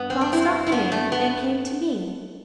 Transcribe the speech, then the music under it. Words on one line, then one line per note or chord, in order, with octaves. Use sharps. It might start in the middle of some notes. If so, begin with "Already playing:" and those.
Klopstock came, and came to me.
Already playing: G2 B3
C4
D4
C4 E4
E4
B3 D4
A3
B3